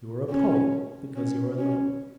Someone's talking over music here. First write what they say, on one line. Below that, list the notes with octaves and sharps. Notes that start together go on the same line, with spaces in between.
You are a poet because you are low.
C#4
C#4
C#4